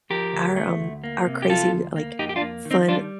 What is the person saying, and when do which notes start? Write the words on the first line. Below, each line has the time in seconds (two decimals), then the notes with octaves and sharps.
our, um, our crazy like fun
0.10 F3 G4 A#4
0.33 D2
0.56 A3
0.80 D2
1.04 A#3
1.27 C3
1.42 G4
1.49 F3 F4 A4
1.73 D2
1.96 A#3
2.19 F2 D#4 G4
2.29 G4
2.36 D4 F4
2.41 A#3
2.65 D#3
2.71 C4 D#4
2.88 G3 D4 F4